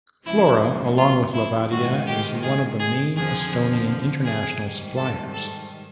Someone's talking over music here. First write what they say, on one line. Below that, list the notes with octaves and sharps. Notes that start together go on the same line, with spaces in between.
Flora, along with Levadia, is one of the main Estonian international suppliers.
D#2 C#3 F3 G#3 E4
F4
E4
G#2 D#3 G#3 F#4
G4
G#4
G#4
F2 D3 F3 G#4
G#4
G#2 D#3 G3
A4
A4